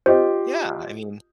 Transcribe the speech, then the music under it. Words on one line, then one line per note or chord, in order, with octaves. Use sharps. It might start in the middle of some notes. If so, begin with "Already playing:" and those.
Yeah, I mean
F4 G4 C5 D#5